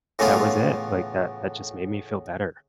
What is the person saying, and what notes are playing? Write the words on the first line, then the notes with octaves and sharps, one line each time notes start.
that was it, like, that that just made me feel better.
A2 C#3 E3 A3 B3 F4